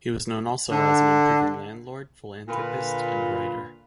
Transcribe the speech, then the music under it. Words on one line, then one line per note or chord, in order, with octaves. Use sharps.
He was known also as an improving landlord, philanthropist and writer.
D3
A#2 D3 F4 B4 B5